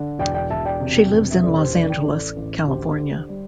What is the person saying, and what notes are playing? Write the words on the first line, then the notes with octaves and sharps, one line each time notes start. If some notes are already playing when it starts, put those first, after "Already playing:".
She lives in Los Angeles, California.
Already playing: D3
E1 D5 G5
D5 G5
E1 E5 A5
D5 G5
C3
E1
E5
A1 A4 D5
G4 C5
A1 A4 D5
D5 G5
A1 A4 D5
A1
D2 G4 C5
D3
G3